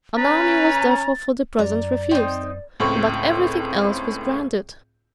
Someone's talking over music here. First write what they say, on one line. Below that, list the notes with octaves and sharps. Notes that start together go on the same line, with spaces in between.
An army was therefore for the present refused; but every thing else was granted.
C#4 B4 A#5 A6
F#2 D5 A#5
C4 D#4
C#2 A2 C4 C#6